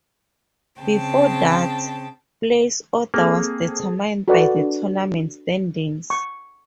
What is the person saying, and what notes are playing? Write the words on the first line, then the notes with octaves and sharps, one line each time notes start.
Before that, place order was determined by the tournament standings.
C#3 C4 G5 A5
A#3 C4 G#4 A4
F#4 A4 B4 D5 F#5
D4
C#6